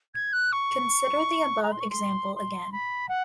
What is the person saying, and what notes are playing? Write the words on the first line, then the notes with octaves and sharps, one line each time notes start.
Consider the above example again.
G#6
F#6
C#6
A#5
C6
C#6
C6
C6
B5
F#5